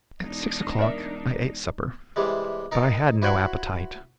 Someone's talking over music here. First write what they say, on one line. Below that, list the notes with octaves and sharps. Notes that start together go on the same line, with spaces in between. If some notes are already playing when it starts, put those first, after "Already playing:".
At six o'clock I ate supper, but I had no appetite.
E1 D4 D#4
A#4 D5 E5
C3 E3 G3 G#3
D#4 A#4 A5
E4 F#4 C5 C#5 F#5 B5